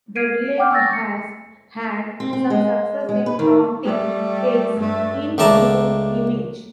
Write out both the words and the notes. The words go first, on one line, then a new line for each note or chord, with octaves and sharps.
The village has had some success in promoting its "in bloom" image.
F6 G#6 C7 D7 D#7
F#5 G5 D6 F6 G6
G#5 C#6 E6 G6 A6 A#6
C#7
C4
C4
G#3
G#3
B4
D#3
G3 A3
G2 A3
C#2 A3 D5 A5 A#5